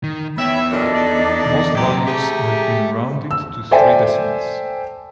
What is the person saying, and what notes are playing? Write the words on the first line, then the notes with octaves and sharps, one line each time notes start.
Most values have been rounded to three decimals.
D#3
E2 B3 C#5 E5 G5 B5
F#2 A#2 D4 A4 D#5
D#4 D5
A#2 F#3 B3 C4 G4 A#5
G4 G#4 E5 A5
E6
A4 C5 D5 E5 G5 G#5